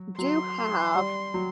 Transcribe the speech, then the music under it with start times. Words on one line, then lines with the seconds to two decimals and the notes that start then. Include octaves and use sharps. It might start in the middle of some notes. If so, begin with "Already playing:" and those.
do have
Already playing: F#3
0.18 F#3 C6
0.95 G3
1.34 F#3